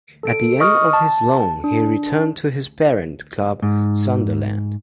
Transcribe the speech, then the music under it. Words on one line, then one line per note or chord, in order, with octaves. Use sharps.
At the end of his loan he returned to his parent club Sunderland.
A4 D7
D#5 C#6 D#6 F6
A5
D4
G#2